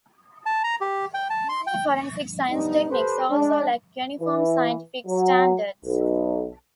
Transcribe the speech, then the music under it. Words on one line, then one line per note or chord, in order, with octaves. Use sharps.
Many forensic science techniques also lack uniform scientific standards.
A5
A#5
G4
G5
A5
C6
G5
C3 G3 B3 D4 D#4
G4 A4 B4 C5
G#3 D4
E3
F#3
B1